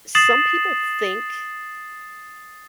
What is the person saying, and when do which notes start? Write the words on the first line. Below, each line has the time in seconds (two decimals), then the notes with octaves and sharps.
some people think
0.15 D#6 A6 C7 E7 F#7